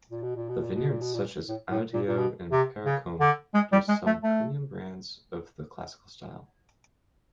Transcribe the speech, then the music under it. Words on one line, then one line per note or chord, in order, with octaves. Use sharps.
Vineyards such as Amadio and Paracombe produce some premium blends of the classical style.
A#2
B2
A#2
B2
A#2
B2
A#2
B2
A#2
A2
A2
A#2
A#2
B2
C3
C#3
D3
G#3
G3
G#3
A3
A3